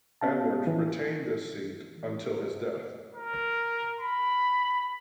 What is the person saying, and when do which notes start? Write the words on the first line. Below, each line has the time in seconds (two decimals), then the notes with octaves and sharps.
Edwards retained this seat until his death.
0.21 B3 C#4 F5 A5
0.67 E3
3.15 A#4
4.01 B5